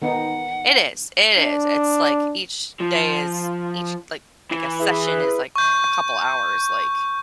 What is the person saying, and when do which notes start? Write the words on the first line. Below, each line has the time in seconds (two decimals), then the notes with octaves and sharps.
It is it is, it's, like, each day is each, like, I guess session is, like, a couple hours, like,
0.02 D#3 B3 D#4 F#5
1.37 D4
2.80 F3
4.51 E3
4.80 E4 G#4 B4
5.56 C#6 G6